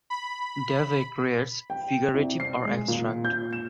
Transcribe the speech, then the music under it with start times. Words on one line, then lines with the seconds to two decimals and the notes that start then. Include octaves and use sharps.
Davey creates figurative or abstract.
0.10 B5
1.70 G5
2.14 C2
2.40 C7
2.65 G#3
2.88 A#2
3.25 G6
3.53 E7